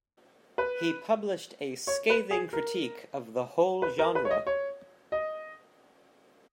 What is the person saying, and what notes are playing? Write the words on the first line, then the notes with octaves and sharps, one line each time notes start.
He published a scathing critique of the whole genre.
B4
C#5
B4
G#4
A#4
B4
A#4
B4
C#5
D#5
C#5
D#5